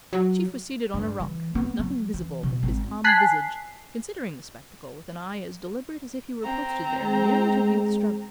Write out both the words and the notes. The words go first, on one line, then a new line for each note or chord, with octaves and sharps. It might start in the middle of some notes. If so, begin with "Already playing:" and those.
The chief was seated on a rock, with nothing visible but his calm visage, considering the spectacle with an eye as deliberate as if he were posted there merely to view the struggle.
F#3
G2
E3
B3
F#3
E3
B2
G#1
G#5 A5 F#6 B6 C7
C4 A#5
G#3